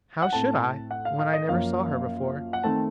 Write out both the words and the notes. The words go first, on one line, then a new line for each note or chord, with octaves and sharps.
"How should I, when I never saw her before?"
F#5
A2 A3 C4 A5
F#5
F5
F5
D#5
F#2 F3 A#3 C#4 F5
F#5
D#3 A3 C4 A5